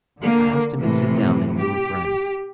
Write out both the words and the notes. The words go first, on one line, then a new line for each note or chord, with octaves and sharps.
I asked him to sit down and we were friends.
D3 A#3
A2 C3 E3
G4